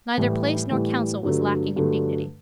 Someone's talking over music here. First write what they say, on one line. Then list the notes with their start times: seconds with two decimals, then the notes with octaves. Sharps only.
Neither place nor council was lacking in dignity.
0.17 A2 E3 G3
0.70 A2 E3 G3
1.23 G2 D3 F#3 A3
1.76 G2 D3 F#3 A3